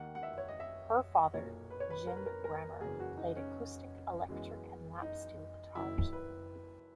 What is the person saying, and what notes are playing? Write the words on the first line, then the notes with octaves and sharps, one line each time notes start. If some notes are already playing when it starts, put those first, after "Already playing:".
Her father, Jim Grammer, played acoustic, electric, and lap steel guitars.
Already playing: D#2 D#3 A#3 F#5
F#5
E5
C#5
D#5
E5
B1 A#2 A#3 C#5
B4
C#5
B4
A#4
B4
A#4
A#4
E2 C#3 F#3 A#3 G#4
F#4
D#4
C#4
F#2 E3 G#3 B3
D#4
F#1 F#2 D#3 A#3 E4
B4